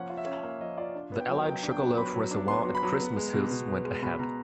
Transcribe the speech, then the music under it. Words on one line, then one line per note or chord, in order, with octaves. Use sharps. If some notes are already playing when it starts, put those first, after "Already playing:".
The allied Sugarloaf Reservoir at Christmas Hills went ahead.
Already playing: F3 A#3 C#4 F#5
F4
E5
C#4
A#3 E5
F3 D#5
F4 D5
D4
B3
G5
F#3
F#3 G5
D4
G5
B3
F#3 B5
F#3
D4
B3 C6
F#3
B5
F#3
B3
G#3
B2
B2
B3
G#3
B2 B5
B2 A#5